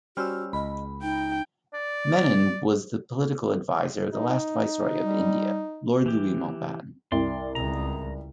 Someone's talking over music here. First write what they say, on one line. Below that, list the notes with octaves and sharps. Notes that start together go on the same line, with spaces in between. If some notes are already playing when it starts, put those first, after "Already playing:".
Menon was the political advisor of the last Viceroy of India, Lord Louis Mountbatten.
G3 C#4 F#4 C5 E6 F6
C#2 D#5 B5
D#4 G5
D5
D#4
G3
E3 G4
C2 D5 C6
C#2 A#5